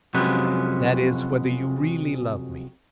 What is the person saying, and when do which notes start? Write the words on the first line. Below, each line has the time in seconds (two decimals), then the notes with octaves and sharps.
"That is, whether you really love me?"
0.14 F2 C3 F#3 G#3 C#4 B4